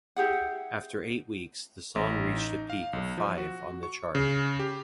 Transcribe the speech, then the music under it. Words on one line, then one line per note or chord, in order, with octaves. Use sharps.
After eight weeks, the song reached a peak of five on the chart.
E4 G4 G#4 F#5
A1
D#4
F5
B1
F3
F#4
C#6
C#3
G4